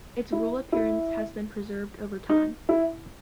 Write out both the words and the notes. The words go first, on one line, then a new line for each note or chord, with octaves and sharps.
Its rural appearance has been preserved over time.
E4
E4
D#4
E4